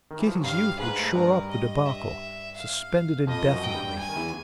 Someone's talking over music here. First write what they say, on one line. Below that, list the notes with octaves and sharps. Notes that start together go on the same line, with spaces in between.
Kitty's youth would shore up the debacle, suspend it indefinitely.
D#3
E3
F3
F#3
G2 G3 F5
G#2 G#3 B4
A3
G#3
G2 G3 A#4
D#5
E5
F5
F2 F3 D#5
F3
F#2 F#3
G5
G2 G3
G#5
D#3
E2 E3